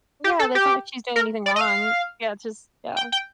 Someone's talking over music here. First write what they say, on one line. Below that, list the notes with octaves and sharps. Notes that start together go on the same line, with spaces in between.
Yeah, that's not like she's doing anything wrong. Yeah, it's just yeah.
G4
A4
G4
A#4
D5
D#5
F5
G5
G5